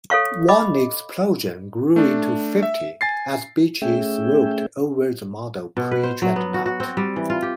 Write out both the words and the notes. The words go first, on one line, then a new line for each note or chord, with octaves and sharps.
One explosion grew into fifty as Beachey swooped over the model predreadnought.
A4 C#5 F5 C#6
D#5 B5 D6
A3 D4
E5
G#5 A6 C7
A3 C#4 G#4 E5 G5
B2
B4
C5
F#3
B3
F#4
F#4
C4
G3
E3
F4
G4